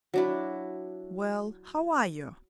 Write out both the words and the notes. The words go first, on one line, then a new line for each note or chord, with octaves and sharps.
Well, how are you?
F#3 D4 E4